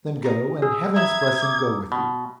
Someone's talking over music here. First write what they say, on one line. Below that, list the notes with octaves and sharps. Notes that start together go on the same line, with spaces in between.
Then go, and Heaven's blessing go with you.'
A#4 D#6
G#4 E6
E5 A#5 B5 D#6 G#6
D6 D#6
B2